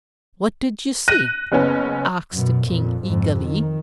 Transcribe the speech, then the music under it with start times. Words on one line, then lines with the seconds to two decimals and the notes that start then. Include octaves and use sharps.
"What did you see?" asked the King eagerly.
1.08 F#6 A#6 D#7
1.52 F#1 B3 C#4
2.35 F#2 B2
2.67 F2 A#2
3.06 F2 G#2
3.43 D#3